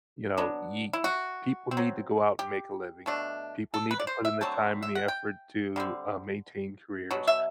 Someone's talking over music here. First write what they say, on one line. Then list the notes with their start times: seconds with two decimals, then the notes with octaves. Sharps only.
you know, you y people need to go out, and make a living, people need to put in the time, and the effort to, uh, maintain careers,
0.37 F#3 B3 D4
0.93 E4
1.04 F#4
1.71 C4
1.77 F#3
2.39 G4
3.06 B2 A3 D4
3.74 A4
3.91 B4
4.00 D5
4.07 C5
4.25 E5
4.41 D3 F#3 A3 C4 A5
4.82 E5
4.95 F#5
5.08 G5
5.76 D3 G3 C4
7.11 B2 F#3
7.27 E5